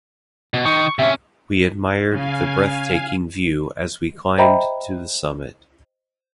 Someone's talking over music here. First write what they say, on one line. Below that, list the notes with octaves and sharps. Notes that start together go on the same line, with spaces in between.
We admired the breathtaking view as we climbed to the summit.
B2
D#3 D#4 C#6
C3 C#4 E5
C#3 F5 G#5
C5 D#5 E5 G5 A#5 B5